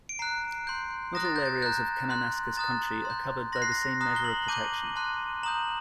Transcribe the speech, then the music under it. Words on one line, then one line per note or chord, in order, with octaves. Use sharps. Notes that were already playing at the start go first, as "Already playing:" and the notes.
Not all areas of Kananaskis Country are covered by the same measure of protection.
D7
A#5 F#6 C7
C6 G6
A#5 D#6 F#6 A#6
A6
G6
A6
A#5 F#6 G6
C6 F#6
A#5 D#6 F#6 A6
C6 G6
C6 F#6 A#6
C7
A#6
A#5 D#6 F#6
G7
F#7
A5 D6 G6 D#7
A5 C6 F#6
A#5 D#6 G6 F#7